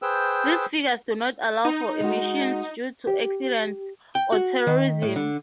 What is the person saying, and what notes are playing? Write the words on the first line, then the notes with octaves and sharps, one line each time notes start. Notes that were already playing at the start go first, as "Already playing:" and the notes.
These figures do not allow for emissions due to accidents or terrorism.
G#4 B4 C5 G5 E6
D#4
G#3 F#4
G4
G5
F#4
D#3
A2
D3